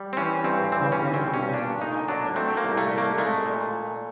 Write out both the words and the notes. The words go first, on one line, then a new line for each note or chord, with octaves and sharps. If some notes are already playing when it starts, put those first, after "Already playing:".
The property overlooks the South Branch of the Raritan River.
Already playing: G3
C4
E3 C#4
G2 C4
E3 C4
C#4
G3
C4
G2
C#4
A#2 D4
A3 D#4
F#3 D4
A3 C4
A#3
C2
A3
A3
A#3
G#3 A3
A#2
A#2